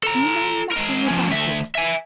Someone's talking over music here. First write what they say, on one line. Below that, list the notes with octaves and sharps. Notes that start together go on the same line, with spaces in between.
You know nothing about it.
A4 A#5
G#3 A#4
F3 C#4
D2 E5
E5 G#5